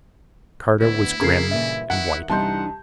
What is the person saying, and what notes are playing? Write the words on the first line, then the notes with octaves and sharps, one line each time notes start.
Carter was grim and white.
D2 B3 E4
C#3 A#4 G#6 C7
G2 A#2 E3 E5
D#3 E4 F#5
C2 E3 D4 D#4 F#5 A5 C6 G6